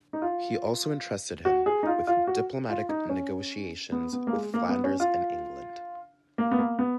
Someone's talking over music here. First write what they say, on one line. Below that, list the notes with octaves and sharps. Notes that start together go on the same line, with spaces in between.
He also entrusted him with diplomatic negotiations with Flanders and England.
D#4
F4
F#4
G#4
D#4
F4
F4
F#4
F4
D#4
C#4
B3
B3
A#3
G#3
A#3
B3
C#4
F4
A#3
B3
A#3
B3